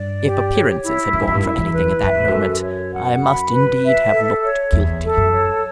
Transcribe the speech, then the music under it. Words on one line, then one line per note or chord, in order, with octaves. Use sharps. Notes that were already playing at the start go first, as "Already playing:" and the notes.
If appearances had gone for anything at that moment I must indeed have looked guilty.
Already playing: G2 D5
G4
C#5
E4
F#2 E5
G2
F#2
G2
F#2 E4
E2
B4
F#2 E5
E2
F#2
A4
C#5
F#5
B5
B4
E5
A4
C#5
E2 E5
A4
F#2
C#5